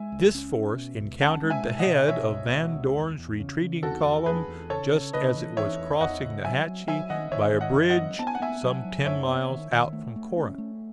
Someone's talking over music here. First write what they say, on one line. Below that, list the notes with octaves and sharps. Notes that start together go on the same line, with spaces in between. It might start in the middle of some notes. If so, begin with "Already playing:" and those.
This force encountered the head of Van Dorn's retreating column just as it was crossing the Hatchie by a bridge some ten miles out from Corinth.
Already playing: G#3 E5 G#5
C#2
C#4
C#4
B2
C#2
C#4 F#5 A5
G#3
E5 G#5
B2
D#5 F#5
B2
B2 C#5 E5
C#2
B2
C#2
E2
E2
C#3
C#3
E2 F#4 A4
E2
E2 G#4 B4
E2
C#3 A4 C#5
C#3
C#3 B4 D#5
E3
E3 C#5 E5
E2
E2 D#5 F#5
C#3
F#3 E5 G#5
F#3
F#3 E5 G#5
D#3 D#5 F#5
D#3 C#5 E5
D#3
D#5 F#5
F#2
D#5 F#5
F#3
B3 A5
G#5
F#5
B3 E5 G#5
F#3
F#3
F#2 C#5 E5
B3
D#3
D#3
A3
A3
C#4
A3